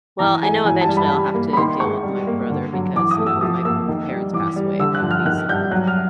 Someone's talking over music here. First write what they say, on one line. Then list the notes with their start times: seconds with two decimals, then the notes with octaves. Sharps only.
Well, I know eventually I'll have to deal with my brother because, you know, when my parents pass away, there will be some
0.19 E3 A#5
0.43 G#3 G#5
0.65 E3 G#5
0.81 A5
0.89 G3
0.97 B5
1.12 G3
1.34 A#3
1.53 B5
1.57 D#3 C6
1.80 G#3 C#6
2.03 G3
2.27 A#3
2.50 D3
2.73 F#3
2.96 E3 D6
3.11 D#6
3.18 A3
3.26 E6
3.41 F3 D#6
3.65 A#3 E6
3.88 D#3
4.11 G3
4.33 E3 D6
4.56 G3
4.79 D3 E6
4.95 F#6
5.02 F3
5.11 F6
5.25 D#3 F#6
5.49 G3 G6
5.71 F#3 F#6
5.87 F6